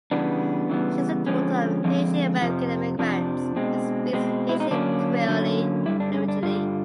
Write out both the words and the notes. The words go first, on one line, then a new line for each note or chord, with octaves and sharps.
She is the daughter of Haitian American immigrants and speaks Haitian Creole fluently.
C#3 E3 G3 B3 D4
C#3 E3 G3 B3
D3 F3 G#3 C4 C#4
D3 F3 G#3 C4
F2 C3 F3
F2 C3 F3 D4
B2 G#3 C4
B2 G#3 C4
E4
D#4
D3 F#3 A#3 C#4 D4
D3 F#3 A#3 C#4
G2 D3 G3 E4
D4
C#4
D4
G2 D3 G3 F4